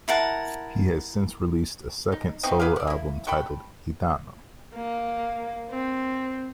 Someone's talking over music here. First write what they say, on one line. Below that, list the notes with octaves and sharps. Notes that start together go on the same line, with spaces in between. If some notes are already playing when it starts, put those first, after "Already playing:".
He has since released a second solo album titled "Gitano".
E4 A#4 F#5 A5
D#4
A3 B3 C4 D#4
G#4 B4 D5 F5
D5 F#5
A#3 E4
F#4 A4 G5 B5
A#3
C4